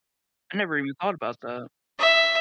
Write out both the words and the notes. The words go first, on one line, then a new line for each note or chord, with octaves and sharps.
I never even thought about that.
E5